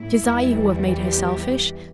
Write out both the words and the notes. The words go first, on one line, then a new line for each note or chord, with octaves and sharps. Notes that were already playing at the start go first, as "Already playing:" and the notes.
It is I who have made her selfish.
Already playing: A2 E4
E2 E3 G3
G4